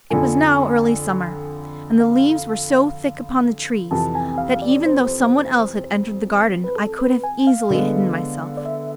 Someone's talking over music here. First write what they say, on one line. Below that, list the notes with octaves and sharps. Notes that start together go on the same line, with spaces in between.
It was now early summer, and the leaves were so thick upon the trees that even though some one else had entered the garden I could have easily hidden myself.
F2 D3 F3 G#5
F5
F2 C3 E3 A5
G#5
F5
D5
C5
B4
A4
B4
G#5
F5
D3 G#3 B3
D5
E5